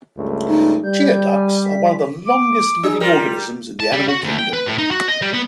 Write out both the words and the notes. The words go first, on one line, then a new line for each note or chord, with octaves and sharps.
Geoducks are one of the longest-living organisms in the animal kingdom.
C#2 G2 A3
D#4
G3 G6
G#5
B6
D6
D4 G#4
G3 F4 A#4
A5
G3
F#4
D2
G5
B4
A2
D#4
F#4
D#5
G3
B3